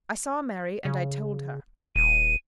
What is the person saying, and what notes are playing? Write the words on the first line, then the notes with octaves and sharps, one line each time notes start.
"I saw Mary, and I told her."
C#3
D#1 D#7